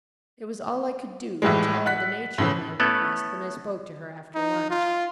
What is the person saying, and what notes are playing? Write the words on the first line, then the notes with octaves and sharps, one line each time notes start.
It was all I could do to tell her the nature of my request, when I spoke to her after lunch.
A2 E3 G3 G#3
F#5 F#6 B6
A2 C#3 E3
A3 B3 C#4 E4 A4 B4
D#4
F4